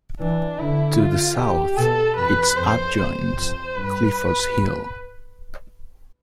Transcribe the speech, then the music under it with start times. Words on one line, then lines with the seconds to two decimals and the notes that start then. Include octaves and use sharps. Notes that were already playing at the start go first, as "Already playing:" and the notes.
To the south, its adjoins Clifford's Hill.
0.20 E3 D4
0.58 D3 E4
0.99 F4
1.38 G4
1.77 B2 A4
2.17 F2 B4
2.56 F2 C5
2.97 C5
3.36 F2
3.75 G2 B4